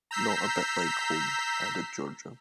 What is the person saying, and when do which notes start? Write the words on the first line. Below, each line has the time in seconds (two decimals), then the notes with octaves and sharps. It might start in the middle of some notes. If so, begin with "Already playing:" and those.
"Not a bit like home," added Georgia.
0.11 A#5 E6 G6 B6 C7